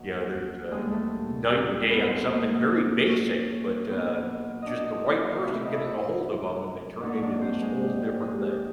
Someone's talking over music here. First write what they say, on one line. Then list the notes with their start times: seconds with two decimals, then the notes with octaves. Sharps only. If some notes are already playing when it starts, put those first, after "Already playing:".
You know, there's a night and day on something very basic, but, uh, just the right person getting a hold of 'em and they turn into this whole different thing.
Already playing: D#2 D#3 F#3
0.71 D#2 D3 G3 G#3 A#3 G#4
0.91 A3 A4
1.50 G4
1.63 G4
1.70 G#3 G#4
1.90 B3 B4
2.03 B4
2.09 C4 C5
2.29 G#2 F3 A#3 D#4
3.08 C#4 C#5
3.87 A#2 F#3 B3 D4
4.62 D4 D5 D#5
4.85 D#4 D#5
5.05 E4 E5
5.24 F4 F5
5.44 C3 E3 A3 F5
5.54 E5
5.66 D#5
5.75 E4 E5
7.00 G#2 D#3 F#3 A#3 D4 D#4 D5
7.13 C#5
7.22 D4 D5
7.41 C4 C5
7.61 G#3 G#4
7.82 G4
8.01 G4
8.20 G#3 G#4
8.41 G4